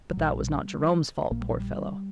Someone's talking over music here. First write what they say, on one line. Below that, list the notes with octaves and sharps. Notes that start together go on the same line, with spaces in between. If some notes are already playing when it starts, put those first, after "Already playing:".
But that was not Jerome's fault, poor fellow!
F#3
A#1 A#2 G3
A#1 A#2 A#3
G3
F#3
G3